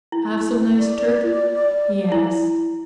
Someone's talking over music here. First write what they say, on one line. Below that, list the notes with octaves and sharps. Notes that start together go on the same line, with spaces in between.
"Have some nice turkey?" he asked.
E4
D5
E4